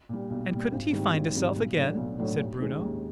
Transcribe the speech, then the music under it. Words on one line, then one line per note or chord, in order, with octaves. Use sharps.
"And couldn't he find his-self again?" said Bruno.
A#2 G3
B1
A#2 G3
G#1
G#2 D#3 G3 C4
G#1
G#2 D#3 G3 C4
B1
A2 F#3 A3 D4
B1
A2 F#3 A3 D4
D#2
D#3 G#3 C#4
D#2